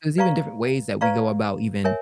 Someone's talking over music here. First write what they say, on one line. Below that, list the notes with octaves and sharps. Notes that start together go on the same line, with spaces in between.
There's even different ways that we go about even,
B4 D5 F5 A#5 C#6
B4 D5 F5 A#5 C#6
A#4 C#5 E5 G#5